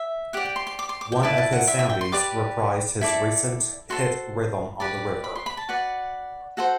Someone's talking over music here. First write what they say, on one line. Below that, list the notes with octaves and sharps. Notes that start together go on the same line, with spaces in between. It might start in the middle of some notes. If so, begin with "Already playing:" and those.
One of his Soundies reprised his recent hit Rhythm on the River.
Already playing: E5
G4 D5 F#5
G5
C6
C6
D6
C6
D6
G5
E4 B4 D5 A5
A5
F#5
E5
E5
G5
C6
G4 B4 D5 D6
E4 A4 D5
F#4 A4 C5 C6
G4 B4 D5
B5
C6
B5
A5
F#4 B4 D5 F#5
F#4 A4 C5 F#5